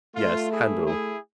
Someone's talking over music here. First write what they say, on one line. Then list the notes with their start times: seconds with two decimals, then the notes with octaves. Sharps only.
Yes. Handel.
0.15 A3 F4
0.50 E4 G#4
0.86 E4 G#4